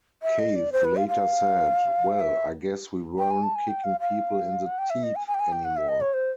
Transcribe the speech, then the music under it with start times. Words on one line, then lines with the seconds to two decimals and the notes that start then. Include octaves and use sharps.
Cave later said, Well, I guess we weren't kicking people in the teeth anymore.
0.23 E5
0.39 D#5
0.56 D5
0.72 C5
0.84 B4
0.97 F5
1.08 F5
2.20 E5
3.18 G5
3.31 G#5
3.43 A5
3.55 G#5
3.68 G5
3.84 F5
4.00 F5
4.66 F#5
4.78 G5
4.90 E5
5.03 D#5
5.15 G#5
5.27 G#5
5.34 G5
5.40 G#5
5.52 G5
5.64 F#5
5.77 E5
5.88 D#5
6.01 C#5
6.13 C5